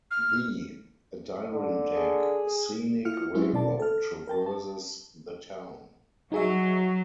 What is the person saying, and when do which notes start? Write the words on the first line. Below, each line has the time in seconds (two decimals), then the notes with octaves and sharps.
The Adirondack Scenic Railroad traverses the town.
0.11 F6
1.53 D3
1.96 G#4
3.05 E4 F4 F6 C#7
3.34 F#3 G#3 C4 C#4 E4
3.53 B2 D5 A5
3.80 A4 F6
4.27 A#4 G5 A5
4.46 A5
6.32 F#3 D#4 G#4 E5